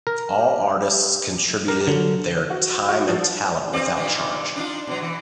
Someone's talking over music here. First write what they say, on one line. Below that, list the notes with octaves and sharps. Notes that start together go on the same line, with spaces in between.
All artists contributed their time and talent without charge.
A#4
G4
G4 A#4
D3 F#3
F#4
F#4
F3
G2 C4 D5
G2 A#2 D#3
D4 D#4 F4
B2 F#3
E3